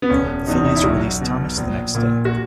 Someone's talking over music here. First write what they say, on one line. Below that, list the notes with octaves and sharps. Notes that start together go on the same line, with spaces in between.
The Phillies released Thomas the next day.
B3
E1 C#4
E2 B2 D#4
D#4
E4
B1 F#4
B2
A#1
A#2
F#4